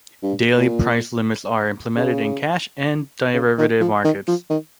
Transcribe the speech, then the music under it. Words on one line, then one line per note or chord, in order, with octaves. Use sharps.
Daily price limits are implemented in cash and derivative markets.
G2
A#2
C#3
C#3
D#3
F3
D#3
F3
D#3